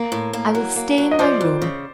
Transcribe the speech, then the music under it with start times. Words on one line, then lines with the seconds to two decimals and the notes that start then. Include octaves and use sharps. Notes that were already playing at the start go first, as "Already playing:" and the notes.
I will stay in my room.
Already playing: A#3
0.12 A2
0.33 A#3
0.55 F#3
0.76 A#3
0.98 F#3
1.11 D#5
1.19 F3 C5 D5
1.41 F2
1.62 C#3